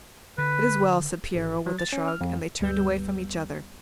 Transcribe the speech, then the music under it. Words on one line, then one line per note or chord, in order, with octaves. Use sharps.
"It is well," said Piero, with a shrug, and they turned away from each other.
D3 B4
G#1
F#3
A6
C#4
F6
F2
D2 G2 G3 B3 E6 G6